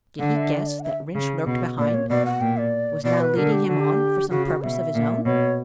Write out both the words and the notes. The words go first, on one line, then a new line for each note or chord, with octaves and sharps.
Did he guess that Rynch lurked behind, was now leading him on for some purpose of his own?
D3 F#5
E5
D5
E5
D5
F#5
E5
C#3
B2
A#2 D5
C#5
B2 D5
F#5
A#2 G5
D5
B2 D5
B4
D3 A#4
G4
D3 F#4
G4
C#3 F#4
F#4
B2 E5
A#2
B2 C#5